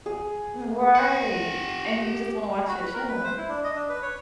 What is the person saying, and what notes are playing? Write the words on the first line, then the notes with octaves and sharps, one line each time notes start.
Right, and you just wanna watch your show.
G#4
G4 F#5
F#4
B4
A#4
B4
C5
E4
D4
D#5
D4
B4
C#5